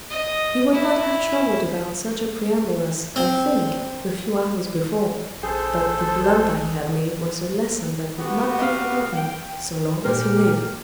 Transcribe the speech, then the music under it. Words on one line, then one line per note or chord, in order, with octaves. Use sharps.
He would not have troubled about such a preamble as "I think" a few hours before, but the blunder he had made was a lesson that would not be forgotten so long as he lived.
D#5
E4
C4
A#1 G#4 A4 C5
B3 F#4 G4
F5
G5
A#2 G4 A#4 C5 F6